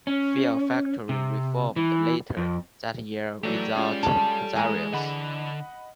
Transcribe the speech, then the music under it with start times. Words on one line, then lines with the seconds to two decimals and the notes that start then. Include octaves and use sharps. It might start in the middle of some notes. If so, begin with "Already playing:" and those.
Fear Factory reformed later that year without Cazares.
0.07 C#4
1.09 C3
1.76 E3
2.37 F2
3.43 E3 F#3 A3 G4 D5
3.75 G#3 C#4 F4
4.03 A4
4.56 E3 G#3 G#4 G#5 A#5
4.93 D3 D#5 F#5 B5